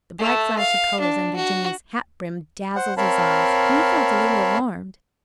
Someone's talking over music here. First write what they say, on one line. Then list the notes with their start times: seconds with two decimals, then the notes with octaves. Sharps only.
The bright flash of colours under Jimmy's hat-brim dazzled his eyes, and he felt a little alarmed.
0.19 A3
0.58 F5
1.00 D4
1.36 F#4
2.76 C5 F#5
2.97 C4 A#4 C#5 F5 A5 B5